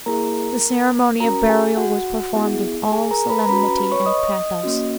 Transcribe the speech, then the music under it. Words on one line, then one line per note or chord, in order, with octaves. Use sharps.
The ceremony of burial was performed with all solemnity and pathos.
A#3 E4 G#4 A#4 A#5
C#4 F#4 A#4 A#5
G#4 G#5
F#4 F#5
B3 E4 G#4
G#4 G#5
A#4 A#5
B4 B5
A#5
C#4 F#4 B4 B5
B4 B5
C#5 C#6
D#5 D#6
A#3 C#4 F#4